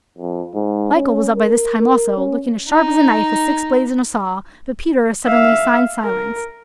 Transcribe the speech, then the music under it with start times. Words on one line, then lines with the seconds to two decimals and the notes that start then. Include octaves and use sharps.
Michael was up by this time also, looking as sharp as a knife with six blades and a saw, but Peter suddenly signed silence.
0.18 F2
0.54 G#2
0.95 C#4
1.36 A#4
1.79 A#4
2.17 C#4
2.68 D#4
5.26 E5 F5
6.03 A#4